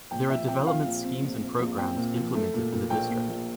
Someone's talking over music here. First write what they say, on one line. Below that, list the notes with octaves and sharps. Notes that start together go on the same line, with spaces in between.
There are development schemes and programmes implemented in the district.
A#1 G5
F3 E5
C4 G5
F3 F5
A#1
C4
A#1
C4
A#1
C4 G5
A#2
F3
A3
A#2
A#2
A#1 G5
A#2
A#1